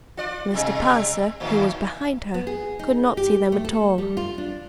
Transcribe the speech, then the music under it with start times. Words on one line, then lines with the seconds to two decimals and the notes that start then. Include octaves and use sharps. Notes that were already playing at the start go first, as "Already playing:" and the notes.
Mr. Palliser, who was behind her, could not see them at all.
0.17 F4 D5
0.54 B2 G3
1.40 A2 D#3 E3
2.34 B3
2.47 G#4
2.79 D#4
3.17 G4
3.52 A3
3.65 A4
3.98 G3
4.17 F4
4.38 D4